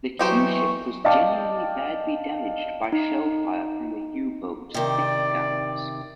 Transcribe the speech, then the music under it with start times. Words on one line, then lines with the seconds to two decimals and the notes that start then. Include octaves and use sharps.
The Q-ship was genuinely badly damaged by shellfire from the U-boat's deck guns.
0.19 E3 F#3 D#4 G4 C5 C#6
1.04 D5 D#5 F5 G5 A5 D6
2.92 D#4
4.74 C3 D#3 D5